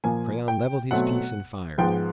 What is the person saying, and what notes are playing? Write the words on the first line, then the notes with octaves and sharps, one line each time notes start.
Crayon leveled his piece and fired.
A#2 F3 A#3 G#5
G5
B2 F#3 A3 C4 F#5
G#2 F3 G#3 B3 G5